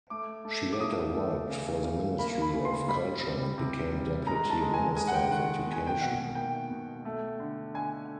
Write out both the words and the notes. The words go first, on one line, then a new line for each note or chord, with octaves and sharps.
She later worked for the Ministry of Culture and became Deputy Minister of Education.
A3 D6
A3
D6
A3 D#6
A3
C#3
C#3
A#3 B5
B5
C#3
C6
G3 B5
C3
C3
G3
G#3 A#5
A5
G#3
G#5
G#3 G#5
F#5
G5
D#3 F#5
B2
G#5
G5
B2 F#5
A#3 G5
B2
A3
D3
D3 G#5